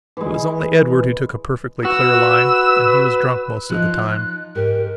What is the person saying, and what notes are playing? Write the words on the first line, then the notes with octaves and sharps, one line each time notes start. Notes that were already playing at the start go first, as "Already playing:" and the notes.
It was only Edward who took a perfectly clear line, and he was drunk most of the time.
E3 G#3
F#4 B4 E6
F3 D#4 F#6
G#2 G4 A#4